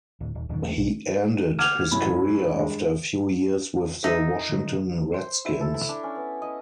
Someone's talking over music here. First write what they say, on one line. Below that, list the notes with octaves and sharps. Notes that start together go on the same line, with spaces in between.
He ended his career after a few years with the Washington Redskins.
D1
D#1
D#1 F#2 C3 D#3
E2 A3
B1
F#5 D6 F6 G#6 F7
C2 F#2 B5
G2 G#3
D#4 E5
D3 E3 F#3
C5
E4
A4
B5
D4
C#4
B3
D#5